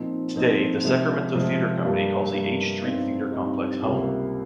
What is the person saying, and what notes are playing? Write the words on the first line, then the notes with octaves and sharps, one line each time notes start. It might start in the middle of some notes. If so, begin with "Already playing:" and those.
Today, the Sacramento Theater Company calls the H Street Theatre Complex home.
Already playing: A#2 F3 C4 D#4
A#2 F3 C4 D#4
C3 F3 G#3
C3 F3 G#3
G2 G3 A#3
G2 G3 A#3
G2 G3 C4 D#4
G2 G3 C4 D#4
C#2 C3 G3 A#3